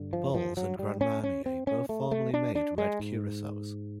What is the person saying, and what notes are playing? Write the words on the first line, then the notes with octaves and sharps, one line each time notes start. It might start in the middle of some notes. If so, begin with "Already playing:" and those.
Bols and Grand Marnier both formerly made red curacaos.
Already playing: G2 D3
F3
F3
F#3
G3
C#4
C#4
C4
C#4
A3
A3
D4
D4
G#3
G#2